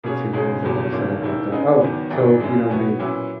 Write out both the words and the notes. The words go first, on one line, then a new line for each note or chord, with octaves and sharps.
let's see, what was I going to say about that oh, so, you know, my
B2 A#3 C#4 G#4 C#5
C#2 B2 G#3 C#4 G#4
F#1 E2 B2 F#3
F#1 F#2 D#3 A#3
E1 D#2 D#3 A#3 E4
C#3 G#3 B3 D#4
E2 D#3 F#3 B3
G#1 G#2 E3
F#2 E3 G#3
B2 F#3 B3 F#4 C#5
A#2 F#3 C#4 E4 B4